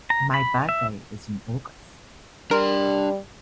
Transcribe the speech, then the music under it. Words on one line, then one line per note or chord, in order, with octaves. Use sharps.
My birthday is in August.
A#5
B5
E5
G3 D4 A#4 C6